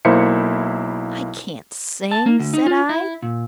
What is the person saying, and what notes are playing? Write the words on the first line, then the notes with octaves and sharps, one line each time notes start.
"I can't sing," said I.
B1 A#3 E4 C5 E5 C#7
A5
A#3
D2
D#4
F4
E4
A#2